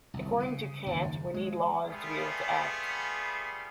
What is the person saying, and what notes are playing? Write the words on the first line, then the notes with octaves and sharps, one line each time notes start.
According to Kant, we need laws to be able to act.
G1 C2
C#3
F#1 D#2 G#2
G#3
G3 A3 B3 F4 G4 G#4